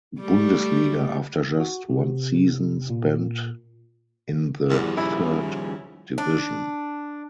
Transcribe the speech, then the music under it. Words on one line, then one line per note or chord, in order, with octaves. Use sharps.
Bundesliga after just one season spent in the third division.
G3 A3
F#4
C3
A#2
E2 D#3 F3 G3
C#3 E4
D4